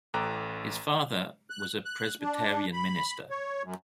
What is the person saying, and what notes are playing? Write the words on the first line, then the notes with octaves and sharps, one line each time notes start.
His father was a Presbyterian minister.
A1 A4 G5 A#5 D6 F#6
F#6
F#6
D4
B5
C#5
F#2